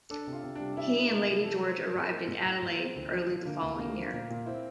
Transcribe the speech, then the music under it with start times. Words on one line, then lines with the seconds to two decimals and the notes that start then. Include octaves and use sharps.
He and Lady George arrived in Adelaide early the following year.
0.10 D4 A4
0.27 C3
0.33 F4
0.43 C3
0.55 G3 D4
0.77 G3 E4
0.94 G3
1.11 G3 A#4
1.28 C3
1.44 F3 A4
1.61 F3
1.67 C5
1.79 F3
1.89 A#4
1.95 A2
2.11 A#3 A#4
2.28 A2
2.45 A2
2.62 A2
2.69 A#3
2.78 F3 C4
2.96 D2
3.12 F3
3.29 F3
3.45 D3 A#3
3.62 D2
3.79 D2 A#3
3.97 F3
4.13 A#2 A#3
4.30 A#2
4.46 C4 E4